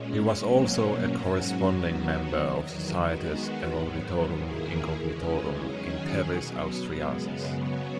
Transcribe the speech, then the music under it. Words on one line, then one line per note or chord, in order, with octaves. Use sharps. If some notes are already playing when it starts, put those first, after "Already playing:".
He was also a corresponding member of Societas eruditorum incognitorum in terris Austriacis.
Already playing: A#2 G#3 C#4
B2 F#3 A#3 C#4
G#2 F#3 C#4 F#4
D#2 D#3 F#3 B3 F#4
E2 D#3 F#3
D#3 G#3 B3 F#4
G#2 D#3 F#3 B3
D#2 D#3 A#3 E4 G#4
E2 C#3 E3 G#3 C#4
D#3 F#3 C#4 G#4
B2 F#3 B3
F#2 C#3 G#3 B3
C#3 F#3 B3 F#4